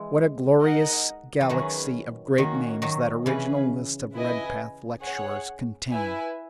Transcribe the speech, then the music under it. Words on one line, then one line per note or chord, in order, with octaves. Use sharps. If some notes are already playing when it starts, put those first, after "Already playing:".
What a glorious galaxy of great names that original list of Redpath lecturers contained!
Already playing: E3 G#3
D#4 A#4 D#5 F#5
E3
D#3 F#3 C#4 G#4 B4
D#3 A#3 C#4 F#4
D#3 F#3
C#3 E3 C#4 G#4 B4
E4 B4 D#5 G#5
G#4 C#5 F#5
E4 B4 E5 G#5